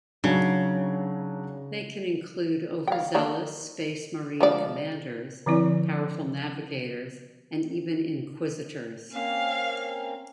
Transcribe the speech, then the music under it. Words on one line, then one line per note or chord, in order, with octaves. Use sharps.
They can include overzealous Space Marine Commanders, powerful navigators and even Inquisitors.
C#3 F#3 D4 D#4
F5 G5
D#3 A#3 D4
F3 G#3 D5
D3 F3 C4 E4 D5
A#3 C4 C#4 F5